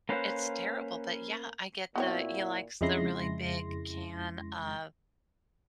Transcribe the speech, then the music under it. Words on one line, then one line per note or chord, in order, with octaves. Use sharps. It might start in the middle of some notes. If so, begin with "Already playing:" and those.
it's terrible. But, yeah, I get the he likes the really big can of,
A#3 C#4 B4 C5 F#5
A#2 B3 C4 E4 F#4 C#5
F2 C#3 G#3 E4 C6 A#6